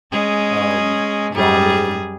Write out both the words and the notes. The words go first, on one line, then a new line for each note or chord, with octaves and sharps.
um, ramen;
G#3 C#4 G#4
F#2 G3 G#4